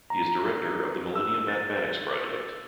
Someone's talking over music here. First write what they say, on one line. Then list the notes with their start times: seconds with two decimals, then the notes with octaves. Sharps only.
He is Director of the Millennium Mathematics Project.
0.10 A#5
1.15 E6
1.48 A6